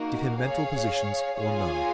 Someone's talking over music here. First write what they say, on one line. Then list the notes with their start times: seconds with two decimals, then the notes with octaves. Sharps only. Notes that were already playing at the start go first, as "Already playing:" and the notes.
Give him mental positions or none.
Already playing: A#3 D#4 F#4 A#4
0.39 G#4 C#5 F5
1.38 F4 G#4 C#5 F5 G#5